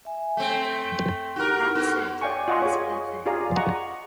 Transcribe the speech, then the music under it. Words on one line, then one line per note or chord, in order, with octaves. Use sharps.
That is, as per Fig.
E5 G#5
A3 C4 A4 G5
D#4 E4 F#4 G4 A#4
B3 F#4 A4
C#5 D5 F5 G5 G#5 C#6
F4 D#5 F#5
G#4 C#5
F4 G4 G#4 D5 F5 A#5
D#5 F#5 A#5 C#6